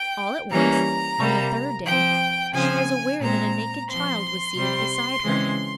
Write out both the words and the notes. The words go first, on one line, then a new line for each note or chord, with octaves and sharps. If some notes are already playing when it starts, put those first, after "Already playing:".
All at once, on the third day, she was aware that a naked child was seated beside her.
Already playing: G5
E3 G3 A#3 C#4 A#5
C3 G3 A#3
F3 C4 G5
C#3 F3 C4 G#5
A#2 G#3 C4 A#5
F3 C4 C6
C3 G3 C4
C#3 E3 G#3 C4